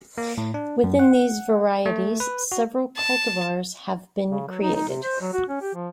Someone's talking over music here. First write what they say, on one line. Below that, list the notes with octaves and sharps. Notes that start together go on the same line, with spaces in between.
Within these varieties, several cultivars have been created.
A#3
A2
D4
F#2
F#5
A3
B4
F#4
A5
C#3
F#3
D#4
D#4
C3
C5
F#3
F#4
C#4
G4
F3